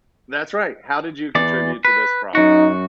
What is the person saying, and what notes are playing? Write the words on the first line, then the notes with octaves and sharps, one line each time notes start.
That's right. How did you contribute to this problem?
E2 E3 D5
B4
F#2 D#4 F#4